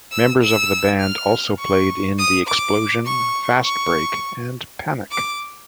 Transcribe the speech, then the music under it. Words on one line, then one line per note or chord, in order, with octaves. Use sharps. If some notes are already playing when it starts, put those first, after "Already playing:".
Members of the band also played in The Explosion, Fastbreak, and Panic.
E6
E6
F6
C#6
D#6
D6
C#6
C#6
D6